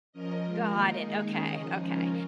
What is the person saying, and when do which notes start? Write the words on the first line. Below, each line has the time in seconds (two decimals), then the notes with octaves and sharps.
Got it. Okay, okay.
0.12 F3 C#4 A#4 D#5
0.41 G#3 F4 A#4
0.69 D#3 A#3 D#4 A#4
0.97 G#3 D#4 G#4
1.26 D#3 C#4 G#4 D#5
1.54 C#3 F3 G#3 D#4
1.83 F3 C#4 F4 A#4